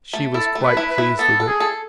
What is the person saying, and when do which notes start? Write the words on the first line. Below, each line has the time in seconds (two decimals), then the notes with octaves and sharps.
She was quite pleased with it.
0.13 A3
0.34 E4 A4
0.55 A3
0.63 B4
0.77 E4
0.90 B4
0.98 E4
1.19 B3 A4
1.40 A4
1.47 G#4
1.60 A4